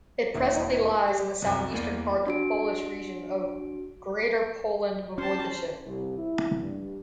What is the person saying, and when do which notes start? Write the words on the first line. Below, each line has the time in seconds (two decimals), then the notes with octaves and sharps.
It presently lies in the south-eastern part of Polish region of Greater Poland Voivodeship.
0.35 E1 D#2 E4
1.08 G4
1.42 C2 F#2
1.72 E2 A#3 D5 D#7
2.27 D4 F#4 D7
5.18 C#4 C5 A5
5.87 C2
6.18 E4
6.60 G2